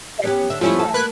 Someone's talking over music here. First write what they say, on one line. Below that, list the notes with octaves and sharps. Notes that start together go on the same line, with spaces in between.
That's just Yeah.
B3 C#4 G4
D3 E5
F2 F3 G3 A3 C#4 E4
A4
A#3 B4 F#6 G#6